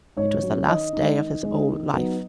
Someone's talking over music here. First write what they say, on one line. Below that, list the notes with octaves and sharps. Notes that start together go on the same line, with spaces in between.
It was the last day of his old life.
G#2 C#5
F#3 C#4
D#3 D#5
G#3 D#4
D#3
G#3 D#4
D#3
F#3 B3 D#4